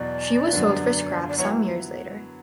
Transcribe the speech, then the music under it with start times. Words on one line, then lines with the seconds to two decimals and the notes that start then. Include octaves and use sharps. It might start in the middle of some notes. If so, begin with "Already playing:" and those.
She was sold for scrap some years later.
Already playing: E2 B2 F#3 D5
0.52 F#2 D3 F#3 B3
1.29 D5
1.38 F#3 B3 E4 C#5